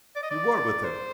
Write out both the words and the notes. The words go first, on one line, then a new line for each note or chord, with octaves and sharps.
"You were with him?"
D5
D#5
D5
C5